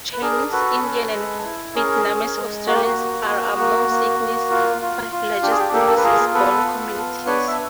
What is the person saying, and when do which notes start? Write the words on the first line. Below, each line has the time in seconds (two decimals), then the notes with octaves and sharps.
Chinese, Indian and Vietnamese-Australians are among Sydney's five largest overseas-born communities.
0.13 B4
0.21 D4 G#4 A#4
0.52 F#4 A4 B4
0.83 C#4
1.14 G#3
1.44 E4
1.75 C#4 G#4 A#4
2.06 C#4
2.36 G#3
2.67 A#3 F#4
2.75 G4
2.83 F#4
2.97 A#3
3.28 A#3
3.59 A#3
3.90 A#3
4.19 A#3
4.51 F4
4.82 F4
5.12 F4
5.43 D4 G4
5.51 G#4
5.60 G4
5.73 A#3 G4 A4
5.97 B4
6.04 F4 G#4 A#4
6.34 B3 A4 B4
6.65 F4
6.96 B3
7.26 D4 B4 C#5
7.47 E5